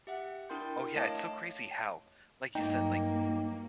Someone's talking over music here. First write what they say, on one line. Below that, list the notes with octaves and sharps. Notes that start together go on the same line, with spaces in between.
Oh, yeah it's so crazy how, like you said, like
G4 E5 F#5
D4 E4 A#4 G5 C6 G6
A3 C#5 D#5 F5 A5 D7
G2 F#3 A#3 D#4 G5